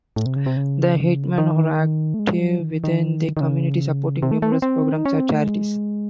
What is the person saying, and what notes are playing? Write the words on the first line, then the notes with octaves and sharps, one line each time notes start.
The Hitmen are active within the community, supporting numerous programs and charities.
A2
C3
C#3
C3
C#3
D#3
A3
G#3
F#3
D#3
E3
D#3
D#3
C#3
C3
A3
A3
C4
C4
D#4
C#4
C4
A3
G#3